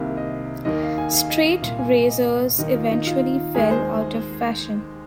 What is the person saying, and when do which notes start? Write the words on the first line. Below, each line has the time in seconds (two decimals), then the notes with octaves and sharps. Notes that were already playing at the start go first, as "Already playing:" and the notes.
Straight razors eventually fell out of fashion.
Already playing: C2 C3 D#3 A#3 F5
0.17 D#5
0.65 D#2 D#3 A#3 D#5
0.82 F5
0.98 G#5
1.13 F5
1.29 D#5
1.46 F5
1.62 C2 A#2 A#3 F5
1.78 G#5
1.94 G#5
2.10 D#5
2.59 D#2 D#3 A#3 D#4
2.75 F4
2.91 D#4
3.07 F4
3.55 D#2 D#3 G#3 G#4
3.71 C5